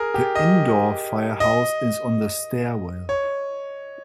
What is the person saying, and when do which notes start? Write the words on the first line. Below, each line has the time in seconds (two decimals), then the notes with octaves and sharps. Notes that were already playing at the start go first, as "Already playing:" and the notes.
The indoor firehouse is on the stairwell.
Already playing: G#4 A#4
0.14 G4
0.35 D#5
1.40 D#5
3.09 C#5